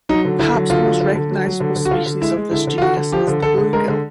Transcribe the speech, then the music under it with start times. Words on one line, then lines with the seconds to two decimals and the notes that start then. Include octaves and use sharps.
Perhaps the most recognizable species of this genus is the bluegill.
0.09 F#3 D#4
0.25 D3
0.39 D3 E4
0.55 F#3
0.70 D3 F4
0.85 F#3
1.00 D3
1.15 D3
1.31 F#3
1.46 F#3
1.60 D3
1.76 D3
1.85 F#4
1.91 D3 F4
2.06 D3
2.21 G#3 E4
2.36 G#3
2.51 D3 E4
2.67 D3
2.78 F4
2.82 D3 F#4
2.97 D3
3.12 F3 G4
3.27 D3
3.42 D3 A4
3.58 D3
3.73 G#3 A#4
3.88 D3